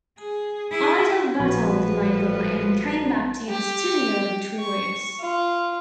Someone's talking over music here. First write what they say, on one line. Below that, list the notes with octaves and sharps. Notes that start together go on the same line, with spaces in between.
Idol battled the label, and came back to the studio victorious.
G#4
E4 G#4
A#1 A2 F3 F#4 B4 B5
G4
C#6
F4